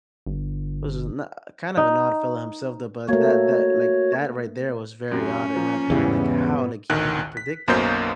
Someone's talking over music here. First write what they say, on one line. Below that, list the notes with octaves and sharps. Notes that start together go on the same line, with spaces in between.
was no kind of an odd fellow himself, though, but that that like, that right there was very odd, in my opinion, like, how, like, he did he predict that?
G1
D#4
A3 A#3 F#4 C#5
F#2 C3 C#4
F3 A#3
E2 G#2 C#3 E3 G3 B3 E4
A1 D2 D#3 F#6
B6
B1 F#2 B2 A#3 C5 G6